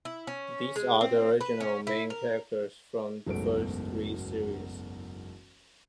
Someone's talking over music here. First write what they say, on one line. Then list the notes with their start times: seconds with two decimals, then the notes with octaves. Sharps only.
These are the original main characters from the first three series.
0.05 E4
0.27 C#4
0.76 G#3
1.01 C4
1.41 B4
1.61 C#4
1.87 E4
2.10 A#4
3.27 F#1 B1 E2 G#2 A3 D7